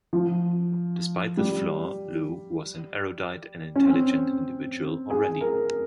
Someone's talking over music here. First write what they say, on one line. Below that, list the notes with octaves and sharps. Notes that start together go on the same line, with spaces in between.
Despite this flaw, Lou was an erudite and intelligent individual already.
F3
G3
C#4
C4
G#4
A#4